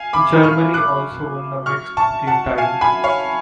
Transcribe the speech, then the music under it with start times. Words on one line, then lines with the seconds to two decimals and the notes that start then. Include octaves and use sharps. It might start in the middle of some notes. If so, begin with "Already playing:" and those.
Germany also won the mixed team title.
Already playing: F5 G#5
0.13 B5 D6
0.43 C#6 F6
0.74 D6 F#6
1.66 C#6 F6
1.97 A5 C#6
2.27 F#5 A5
2.58 F5 G#5
2.81 G#5 B5
3.04 C#5 F5